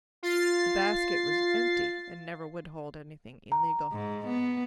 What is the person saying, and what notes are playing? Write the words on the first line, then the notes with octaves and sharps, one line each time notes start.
The basket was empty, and never would hold anything illegal.
F4 A6 C7
A#5
G#2
B3